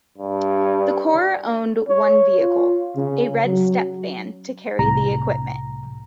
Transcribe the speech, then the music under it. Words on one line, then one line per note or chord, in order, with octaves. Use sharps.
The corps owned one vehicle; a red step van to carry the equipment.
G2
C#5
F4
C#3
F#3
C2 A2 A#5